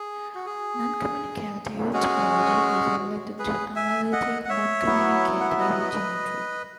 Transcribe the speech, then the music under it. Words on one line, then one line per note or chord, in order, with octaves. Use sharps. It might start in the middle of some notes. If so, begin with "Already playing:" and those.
Noncommutative topology is related to analytic noncommutative geometry.
Already playing: G#4
F#4
G#4
G#3 C#4 F#4 G#4
G#4 B4
E5 G#5
D#5 F#5
F#5
C#5 E5
F#3 B3 E4
F#5
E5
B4 D#5